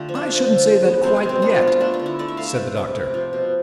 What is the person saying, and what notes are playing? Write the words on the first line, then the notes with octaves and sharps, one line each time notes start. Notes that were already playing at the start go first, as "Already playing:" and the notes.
"I shouldn't say that--quite--yet," said the doctor.
Already playing: D3 A3 F4 G4
F3
D4
F3
D3
F3
B3
B2 C4
C4
B2
C4
B3 D4
F4
B3
F4
A3 D4
D4
D3
E4
A3 D5
E5
A3 F5
E5
C3 B4
C3
C3
F3
B2